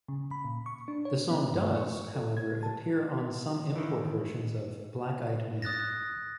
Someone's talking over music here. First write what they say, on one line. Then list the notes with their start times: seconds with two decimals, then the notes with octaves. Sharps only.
The song does, however, appear on some import versions of "Black Eyed Man".
0.08 C#3
0.31 B5
0.44 A#2
0.66 C#6
0.88 D4
1.05 C#5
1.30 B3
1.53 G2
1.76 C#6
2.15 A4
2.37 G#6
2.63 A5
3.76 D#3 E3
5.62 D#6 F#6 A6 A#6